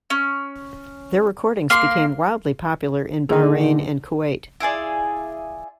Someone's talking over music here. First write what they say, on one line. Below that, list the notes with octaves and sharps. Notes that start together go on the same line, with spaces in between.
Their recordings became widely popular in Bahrain and Kuwait.
C#4
A#3 C6
A#2 D3 D#4 G#4
E4 F4 G#4 D5